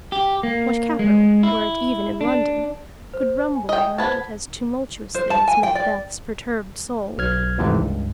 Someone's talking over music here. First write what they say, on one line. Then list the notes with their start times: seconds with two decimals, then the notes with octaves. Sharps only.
What capital, were it even in London, could rumble around it as tumultuously as Macbeth's perturbed soul?
0.12 G4
0.43 A#3
0.99 G#3
1.43 E4
2.21 D4
3.14 C5
3.55 G#5
3.69 D#5 G5
3.98 B3 C5 A5 G#6
5.15 C5
5.30 A5
5.48 G#5
5.63 G5
5.75 D5
7.18 B1 F6 G#6
7.58 D#2 G#2 C3 E3 F3 A3
7.79 C#2 G2